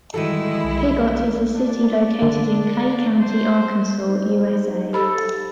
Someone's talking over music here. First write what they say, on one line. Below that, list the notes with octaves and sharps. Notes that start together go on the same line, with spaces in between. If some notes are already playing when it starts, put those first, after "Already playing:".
Piggot is a city located in Clay County, Arkansas, USA.
D#3 E3 G3 G#3 D#4 E4 F#4 A4
B1
D4
G1 D3
C5
D#4 C5
G4 A4 B5